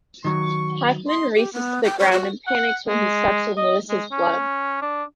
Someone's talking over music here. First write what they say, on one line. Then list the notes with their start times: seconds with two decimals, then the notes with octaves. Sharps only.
Hakman races to the ground and panics when he steps in Louis' blood.
0.24 D#3 F#3 C#6
1.08 D#5 C6
1.36 G4
1.53 B3
1.84 G5
1.99 C#5
2.12 F#4
2.47 F#5
2.88 G#3
3.57 D#5
3.89 G#3
4.12 C#4
4.82 D4